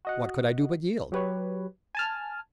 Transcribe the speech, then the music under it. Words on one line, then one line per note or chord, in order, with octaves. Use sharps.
What could I do but yield?
F#4 D#5 F#5
F#3 G4 B4 C#5
G#5 A5 F6